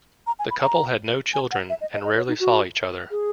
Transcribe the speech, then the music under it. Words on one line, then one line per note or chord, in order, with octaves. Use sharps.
The couple had no children, and rarely saw each other.
A#5
G#5
B5
A#5
G#5
F#5
E5
D#5
D#5
D#5
C#5
D#4
F#4
G#4